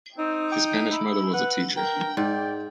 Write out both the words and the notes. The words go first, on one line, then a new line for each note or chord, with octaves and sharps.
His Spanish mother was a teacher.
C4 D#4
G5
E4
B4 F#5
A#4 G5
G#2 D5 G5